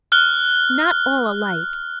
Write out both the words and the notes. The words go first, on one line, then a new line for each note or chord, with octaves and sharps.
'Not all alike.
F6 F#6 G7